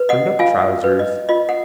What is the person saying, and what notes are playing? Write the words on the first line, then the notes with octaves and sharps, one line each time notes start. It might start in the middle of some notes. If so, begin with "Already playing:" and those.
Turnedup trousers.
Already playing: B4
D#5 F#5
F4 F5 G#5
B4
D#5
F4 D#5
F#5